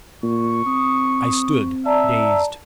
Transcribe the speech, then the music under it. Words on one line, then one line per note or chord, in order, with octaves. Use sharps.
I stood dazed.
A#2 C#6
C4 D#6
D5 E5 A5 A#5